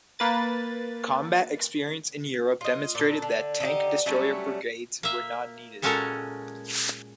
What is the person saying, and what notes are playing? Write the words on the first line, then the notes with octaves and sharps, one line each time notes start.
Combat experience in Europe demonstrated that tank destroyer brigades were not needed.
A#3 B4 A6
F4 D#5
A#2 A4
D3
D3 D#4 F#4 G4
F#3 G3 A3 C#4
A#3 E5
A#2 G#3 C#4 F#4 A4 A#4